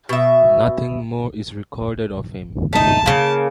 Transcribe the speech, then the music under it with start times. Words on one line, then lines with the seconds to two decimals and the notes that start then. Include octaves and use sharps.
Nothing more is recorded of him.
0.09 B2 E5
2.73 A3 D#4 A5
3.06 C#3 A#3